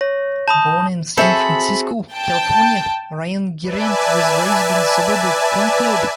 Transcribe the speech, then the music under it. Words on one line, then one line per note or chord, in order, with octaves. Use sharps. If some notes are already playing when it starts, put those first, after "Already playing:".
Born in San Francisco, California, Ryanen-Grant was raised in the suburb of Concord.
C#5 A#6
A5 B5 D#6 G6
C4 F#4 G#4 A4 C5 E5 B5
G5 A5
B4 D5 E5 G#5 A5